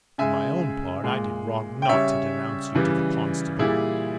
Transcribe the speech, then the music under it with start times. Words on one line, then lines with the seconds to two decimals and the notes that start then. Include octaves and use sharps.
For my own part, I did wrong not to denounce you to the constable.
0.18 C#3 G#3 E5 G#5
1.04 A#2 G#3
1.82 G5
1.89 C#3 G3 C#5 E5
2.75 C#3 E3 G3
3.59 A#2 G3 E4 G#4